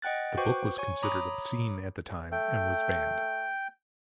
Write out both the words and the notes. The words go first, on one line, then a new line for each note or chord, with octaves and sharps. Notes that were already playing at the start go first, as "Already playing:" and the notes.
The book was considered obscene at the time and was banned.
D#5 F#5 G5 F#6 A6
F#4 B4 C5 G5 C#6 D6
C#5 G#5 C#6
C#5 A#5 B5 D6 D#6
A3 G5